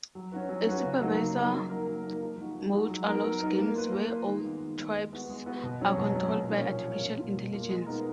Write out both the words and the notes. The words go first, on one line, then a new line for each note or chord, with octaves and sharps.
A supervisor mode allows games where all tribes are controlled by artificial intelligence.
F#3
C#4 F#4 B4
F#3
C#4 F#4 B4
C#3
F#3 A#3 D#4 F#4
C#3
F#3 A#3 D#4 F#4
F#3
A#3 D#4 A#4
F#3
A#3 D#4 A#4
F3
G#3 D#4 F#4
F3
G#3 D#4 F#4
F#3
B3 D#4 A#4
F#3
B3 D#4 A#4
A#3
F4 B4
A#3
F4 B4
D#3
G#3 B3
D#3
G#3 B3
G#3
B3 F#4 B4
G#3
B3 F#4 B4
B2
F#3 C#4
B2
F#3 C#4
A#2
F3 A#3 C#4
A#2
F3 A#3 C#4
B2
A#3 F4
B2
A#3 F4
G#3
B3 D#4 A#4